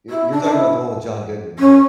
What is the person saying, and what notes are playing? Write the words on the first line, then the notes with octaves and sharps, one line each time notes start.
y you're talking about the one with John Goodman, right?
E4
D4
D4
E4
C#4